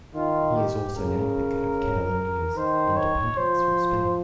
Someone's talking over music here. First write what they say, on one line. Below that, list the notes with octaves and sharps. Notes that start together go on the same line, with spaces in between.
He is also an advocate of Catalonia's independence from Spain.
D#3 F4
G4
C#3 A#4
D#3 C5
C#5
F3 C5